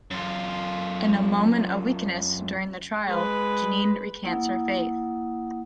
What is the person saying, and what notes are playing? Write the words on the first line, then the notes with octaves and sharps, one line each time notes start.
In a moment of weakness during the trial, Jeanne recants her faith.
F#2 F4
G#3 B4
A#3 E4 F#5 D#6